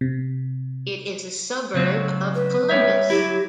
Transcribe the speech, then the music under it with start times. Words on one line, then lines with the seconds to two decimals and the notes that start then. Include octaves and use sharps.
It is a suburb of Columbus.
0.01 C3
1.74 C#3 F#3 C4
2.35 B4
2.69 G3 C#5 E5
3.10 F#3 E4 G4